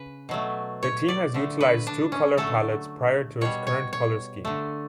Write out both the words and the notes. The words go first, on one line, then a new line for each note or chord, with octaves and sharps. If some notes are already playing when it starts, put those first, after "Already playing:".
The team has utilized two color palettes prior to its current color scheme.
Already playing: C#3 B4
B2 F#3 A3
C#5
D5
D3 A3
B4
D4
C#4
D3 F#3 A3 A4
B2 G3 C#5
C#5
C#5
D3 A3